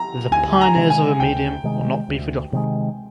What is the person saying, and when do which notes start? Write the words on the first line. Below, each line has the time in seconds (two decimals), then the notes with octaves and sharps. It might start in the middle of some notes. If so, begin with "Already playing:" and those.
The pioneers of a medium will not be forgotten.
Already playing: A#5
0.31 D2 G#5
0.61 A#5
0.76 C3 D#3 G#3
0.90 G#5
1.20 D2 G5
1.64 C3 D#3 G#3
2.09 D2
2.53 C3 D#3 G#3